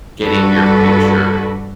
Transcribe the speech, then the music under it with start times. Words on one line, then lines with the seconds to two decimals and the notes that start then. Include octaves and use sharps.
getting your future
0.24 G2 D4 F#4 A4 B4